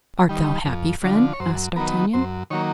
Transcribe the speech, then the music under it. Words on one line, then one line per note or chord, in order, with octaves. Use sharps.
"Art thou happy, friend?" asked D'Artagnan.
D#3 G3
F2
D3 F3
C#5
F#2 C5
D#3 F#3 B3 A#4
F#2 C5
D#3 F#3 A#3 C#5